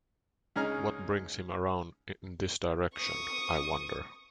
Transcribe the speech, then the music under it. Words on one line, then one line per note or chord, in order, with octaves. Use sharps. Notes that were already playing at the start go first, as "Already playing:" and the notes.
What brings him around in this direction, I wonder!
C#2 C#4 D#4 G#4 A#5 F6
C#6 D#6